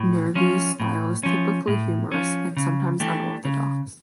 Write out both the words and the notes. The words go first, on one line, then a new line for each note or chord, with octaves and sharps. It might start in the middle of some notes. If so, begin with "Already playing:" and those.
Nirvi's style is typically humorous, and sometimes unorthodox.
Already playing: A2
F3 C#4
A2
F3 C#4
A2
F3 C#4
C#3
E3 A3 D4 G4
C#3